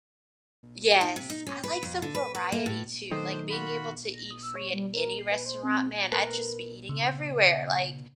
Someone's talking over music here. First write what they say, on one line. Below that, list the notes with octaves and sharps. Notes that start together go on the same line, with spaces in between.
Yes, I like some variety too, like, being able to eat free at any restaurant, man, I'd just be eating everywhere, like
D#4
C3
D#4
C#4
B4
F2
D3
B4
B4
A#3
A2
D#3 F#3 G3 A3 D4 A4 C5
F4 F#4 B5
A#6
D#6
E6
C#5
G3
A#4
C7
B4
C5
C4
A#4 B4
C#3